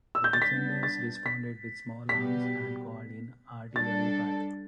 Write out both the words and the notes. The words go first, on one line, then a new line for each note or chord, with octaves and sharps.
The defenders responded with small arms and called in artillery fire.
E6
G6
A6
G3 B3 D4 B6
A6
B6
B2 G3 B3 G4 B6
G3 D4 A4 A6